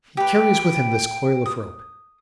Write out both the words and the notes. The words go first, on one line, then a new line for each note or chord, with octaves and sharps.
He carries with him this coil of rope.
G4 B4 G5
D#6